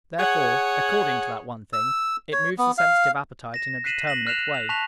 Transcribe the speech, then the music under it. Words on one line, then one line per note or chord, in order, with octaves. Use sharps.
Therefore, according to that one thing, it moves the sensitive appetite in a determinate way.
G#4 C#5 F#5
E6
C#5
B3
F5
A#6 E7
F#6 B6 C7 D#7 E7 F#7
A#6 E7 F#7
F6 F#6 A#6 C7 E7 F7
F7
A5 C#6 F#6 B6 F7